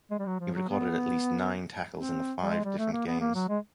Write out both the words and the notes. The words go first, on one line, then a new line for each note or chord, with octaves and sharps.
He recorded at least nine tackles in five different games.
G#3
G3
F#3
F3
F#3
B3
C4
G3
G#3
G3
A3
A#3
B3
A#3
F#3
G#3